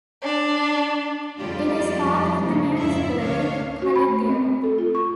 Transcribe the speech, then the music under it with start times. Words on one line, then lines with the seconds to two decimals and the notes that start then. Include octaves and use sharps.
It is part of the municipality Kallithea.
0.22 D4
1.39 F2 G3 G#3 F4 G4 D5
2.40 D#2 C#3 F3 G#3 A3
2.78 F2 G#2 C#3 E4 F4 E5
3.19 D2 C3 C#4 D4 C#5 F5
3.82 F#4
3.96 B5
4.08 A3
4.29 C4
4.64 A4
4.78 F4
4.95 C#6